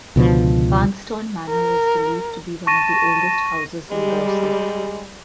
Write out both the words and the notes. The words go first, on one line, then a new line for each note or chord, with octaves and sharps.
Barnston Manor is believed to be one of the oldest houses in Dorset.
C#2 B2 D3 F3
A#4
A5 C#6 A#6 D#7
G3 G#3